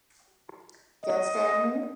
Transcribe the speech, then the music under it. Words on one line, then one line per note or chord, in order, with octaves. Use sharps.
Just tell me.
D#5